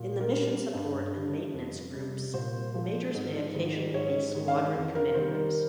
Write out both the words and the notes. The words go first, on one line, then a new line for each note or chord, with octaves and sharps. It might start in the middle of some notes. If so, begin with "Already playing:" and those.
In the mission support and maintenance groups majors may occasionally be squadron commanders.
Already playing: A#2
A#4
G3
G2
G3
F2
C3 G3
A#2 C5
F3 G#3
G#2
D#3 G#3
G#2 C#5
D#3 G#3
F5
F2
A#4
D#3 G3 C5
A#4